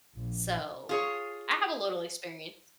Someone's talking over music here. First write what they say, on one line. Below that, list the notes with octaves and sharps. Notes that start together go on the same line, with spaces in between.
So I have a little experience.
A#1
F4 G#4 C#5